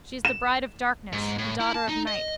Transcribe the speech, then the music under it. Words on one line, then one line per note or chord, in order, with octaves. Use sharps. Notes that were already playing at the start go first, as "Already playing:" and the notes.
She is the bride of darkness, a daughter of night.
E7
G#2
A2
E4
A5
D#4
D#5